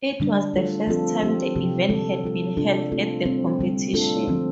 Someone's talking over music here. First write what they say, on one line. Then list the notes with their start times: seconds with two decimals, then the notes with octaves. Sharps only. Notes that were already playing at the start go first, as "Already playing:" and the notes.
It was the first time the event had been held at the competition.
0.20 D3 G3 D4
0.54 A3 F4 A4
0.87 F3 C4 F4 A4
1.22 F3 C4 G4
1.56 C3 F3 C4 G4
1.89 D3 G3 C4 F4 A4
2.24 G3 F4 A4
2.57 C3 G3 D4 F4 A4
2.91 A3 C4 F4 A4
3.25 C3 G3 C4
3.59 D3 G3 C4
3.93 A3 D4 F4 A4
4.28 D3 F3 C4